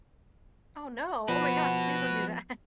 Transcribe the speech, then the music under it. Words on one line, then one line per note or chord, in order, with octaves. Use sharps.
Oh, no. Oh my gosh please don't do that.
F3 B3 F#4 B4